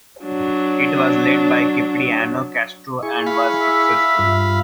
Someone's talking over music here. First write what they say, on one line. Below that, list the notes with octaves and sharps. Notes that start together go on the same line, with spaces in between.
It was led by Cipriano Castro and was successful.
F#3 D4
E4 G#4 C#6
F5 B5
E5
G2 F4